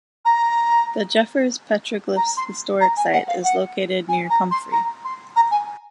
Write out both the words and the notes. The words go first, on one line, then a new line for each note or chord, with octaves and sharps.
The Jeffers Petroglyphs Historic Site is located near Comfrey.
A#5
A#5
C6
A#5
G#5
F#5
F5
F#5
G#5
A#5
C6
A#5
C6
A#5
G#5